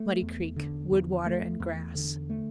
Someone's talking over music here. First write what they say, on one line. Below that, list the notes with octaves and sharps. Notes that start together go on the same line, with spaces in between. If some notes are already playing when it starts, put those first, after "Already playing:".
Muddy Creek.--Wood, water, and grass.
Already playing: A3
E2
D3
E2
A3
E2
D3
A3